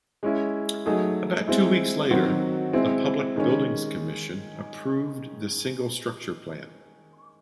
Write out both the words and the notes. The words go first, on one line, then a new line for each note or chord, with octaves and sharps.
About two weeks later, the Public Buildings Commission approved the single structure plan.
G#3 C#4 E4
F#3 A3 D#4 G#4
G#3 C4 E4
D#3 F#3 C4 F#4
G#3 C4 E4
D#3 G#3 C#4